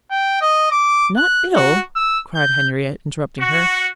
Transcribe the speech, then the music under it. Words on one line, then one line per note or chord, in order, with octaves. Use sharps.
"Not ill?" cried Henriette, interrupting her.
G5
D#5
D6
F#6
F#4
E6
G6
F#4